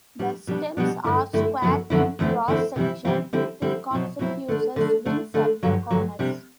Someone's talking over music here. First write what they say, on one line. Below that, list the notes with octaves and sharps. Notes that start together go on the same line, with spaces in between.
The stems are square in cross section, with conspicuous wings at the corners.
A2 G3 D4
B2 G3 B3 D4
B2 G3 B3 D4
G2 D3 A3 E4
G2 D3 A3 E4
F#2 D3 F#3 B3 E4
F#2 D3 F#3 B3 E4
E2 D3 A3 C4 E4
E2 D3 A3 C4 E4
C3 E3 G3 C4 E4
C3 E3 G3 C4 E4
D3 G3 C4 E4
D3 G3 C4 E4
B2 F#3 C4 E4
B2 F#3 C4 E4
D3 A3 D4
D3 A3 D4
D3 A3 D4
D3 A3 D4
G2 D3 F#3
G2 D3 F#3
C3 G3 D4